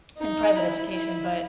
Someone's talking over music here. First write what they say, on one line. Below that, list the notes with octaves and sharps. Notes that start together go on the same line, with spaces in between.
in private education, but
D#4
E4
E4